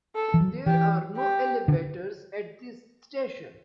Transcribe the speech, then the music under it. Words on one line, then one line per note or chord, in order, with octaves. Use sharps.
There are no elevators at this station.
A4
E3
F#3
E3 G4
G4
D3